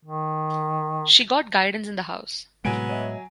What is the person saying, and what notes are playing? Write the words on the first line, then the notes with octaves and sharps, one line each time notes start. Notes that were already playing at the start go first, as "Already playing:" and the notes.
She got guidance in the house.
D#3
A2 C3 F#3 G#3 B3 G#5 D7
C#5 D#5 E5